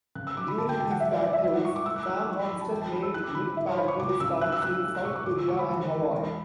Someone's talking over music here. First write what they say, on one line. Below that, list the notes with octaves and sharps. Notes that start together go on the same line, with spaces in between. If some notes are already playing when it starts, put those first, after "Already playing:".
During these patrols Sam Houston made mid-patrol stops in South Korea and Hawaii.
C#3 F#6
E6
F#3 D6
B5
D2 A5
G5
E1 A5
F#5
F#3 E5
D5
F#3 D5
E5
G3 E5
F#5
A2 C#6
D6
A3 E6
F#6
E6
E3 F#6
E6
E3 C#6
B5
F#2 B5
A5
A1 G5
A5
F#3 B5
E6
E3 F#6
D6
G1 B5
A2 E5
C#5
A2 B5
C#6
C#2 D6
D6
C#3 E6
B1 F#6
E6
B1 F#6
A3
F#6
B2 C#6
C#6
D2 D6
E6
E1 C#6
B5
A1
A1
E1